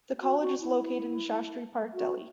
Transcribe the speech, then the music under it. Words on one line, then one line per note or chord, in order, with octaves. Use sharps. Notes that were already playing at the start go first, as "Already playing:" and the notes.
The college is located in Shastri Park, Delhi.
F#4
F#4
E4
F#4